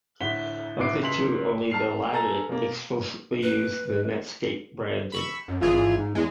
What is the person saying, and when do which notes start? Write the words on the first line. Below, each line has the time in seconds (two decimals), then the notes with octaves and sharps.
Of the two, only the latter explicitly uses the Netscape branding.
0.20 D2 A2 F#5 B6 G7
0.79 D2 A2 F#5 D6 C7 D7
1.02 C#2 C6 B6 F#7
1.70 A5 F6 C7 F7
2.12 A4 G#5 A#5 A6
2.49 B2 A#3
3.43 B4
5.12 B5 C#6 E6
5.48 F#2
5.61 G#1 E3 F4 G#4
5.97 G#2
6.15 E2 G#3